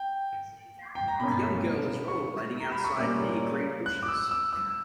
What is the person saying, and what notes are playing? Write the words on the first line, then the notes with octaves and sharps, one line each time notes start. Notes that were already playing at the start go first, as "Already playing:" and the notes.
The young girl is rollerblading outside near green bushes.
Already playing: G5
G5
A#5
B2 A#3 C#4 B5
C#6
A#5
B5
C#6
A#2 G3 A#3 C#4 D6
F#6
D6
E6
E6
E6